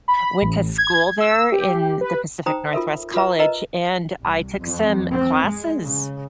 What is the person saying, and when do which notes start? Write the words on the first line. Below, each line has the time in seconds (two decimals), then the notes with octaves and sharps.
went to school there in the Pacific Northwest College, and I took some classes,
0.08 B5
0.41 A1
0.78 G#6
1.20 E6
1.52 G4
2.01 B4
2.46 D#4 C5 G5 A#5 D#6
2.73 F4 A4 A#4 E5
3.14 F4 A4 B4 E5 A#5
3.39 A#4 B4 D#5 A#5
4.23 C2
4.59 F2
5.11 C4
5.44 G#3
5.80 C#3